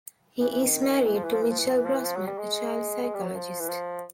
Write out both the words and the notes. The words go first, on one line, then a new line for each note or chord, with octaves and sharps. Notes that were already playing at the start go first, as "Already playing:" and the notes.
He is married to Michal Grossman, a child psychologist.
E3
E3
D#3
E3
F3
E3
F3
E3
F3
E3
F3
E3
F3
E3
F3
F#3
G3
G#3
G#3
G3
F#3
F3
E3
F3